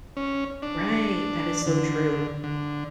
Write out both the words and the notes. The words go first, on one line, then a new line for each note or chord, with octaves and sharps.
Right, that is so true.
C#4
D4
D3
D3